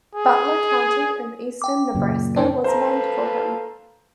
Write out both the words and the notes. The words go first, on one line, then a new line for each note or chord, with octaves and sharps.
Butler County in eastern Nebraska was named for him.
G#4
G5 D6
F#2 A#2 C#3
D#3 C4 D4
A4 B4 C5 F5 A#5